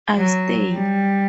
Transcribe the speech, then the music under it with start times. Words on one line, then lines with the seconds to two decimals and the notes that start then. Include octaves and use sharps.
I’ll stay.
0.17 F#3
0.73 G3